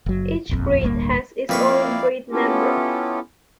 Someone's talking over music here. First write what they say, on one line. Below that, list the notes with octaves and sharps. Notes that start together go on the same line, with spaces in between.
Each breed has its own breed number.
F#1 F#3
D#1 A#1 F2
D1 G1 G2 A#3
F2 A#3 E4 B4 D5 F5 C#6
B3 C#4 E4 F4 G4 A4